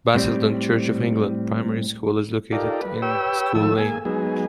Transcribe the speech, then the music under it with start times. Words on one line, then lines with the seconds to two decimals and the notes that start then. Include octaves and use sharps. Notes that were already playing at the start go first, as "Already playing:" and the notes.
Basildon Church of England Primary School is located in School Lane.
0.15 A2 G3 A3 C4 G4 D5
2.52 D#4 F4 G4 A4 A#4 D5
2.82 B4
3.02 G4 B4 C#5 G5 E6
3.55 A2 D#3 F3 A4 E6
3.79 A#3 G#4 G#5
4.05 F#3 G#3 B3 D#4 G#4